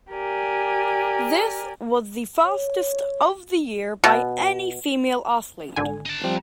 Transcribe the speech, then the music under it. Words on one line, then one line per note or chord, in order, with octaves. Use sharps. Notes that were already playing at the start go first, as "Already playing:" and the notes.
This was the fastest of the year by any female athlete.
G4 A#4 D5 G#5
C#5
B2
G#1 D3 G#5
D#4 A5
F3 G3 C4